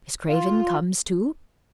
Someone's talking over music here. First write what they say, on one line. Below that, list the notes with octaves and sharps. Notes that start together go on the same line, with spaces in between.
Miss Craven comes too?
F4